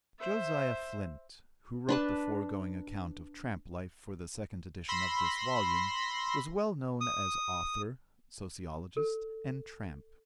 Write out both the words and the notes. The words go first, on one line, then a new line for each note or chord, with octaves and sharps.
"Josiah Flynt" who wrote the foregoing account of tramp-life for the second edition of this volume, was well known as author, sociologist, and tramp.
C5 E5
D4 B4 A5
B5 C6 E6 A#6
D#6
A4